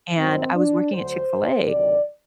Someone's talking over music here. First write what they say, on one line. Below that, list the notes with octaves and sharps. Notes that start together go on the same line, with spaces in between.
and I was working at Chick-fil-A,
G2 D#3 F#3 C4
D4
D2 D3 F#3 C5
D2 C3 D#3 F#3 D5